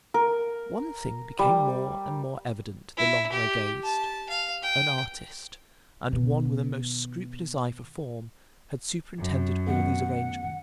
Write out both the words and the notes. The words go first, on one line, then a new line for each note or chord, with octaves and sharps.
One thing became more and more evident the longer I gazed: an artist, and one with a most scrupulous eye for form, had superintended all these arrangements.
A#4
G3
E4
G4
A5
F5
G5
B2 D#3
F#2
D#3 A3 B3 F#5